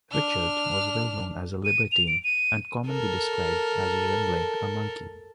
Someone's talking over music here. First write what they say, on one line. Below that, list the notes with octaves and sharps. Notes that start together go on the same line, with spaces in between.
Richard was well known as a libertine and commonly described as resembling a monkey.
D4 F6
D#7
F7
D7
D#7
A4 A#4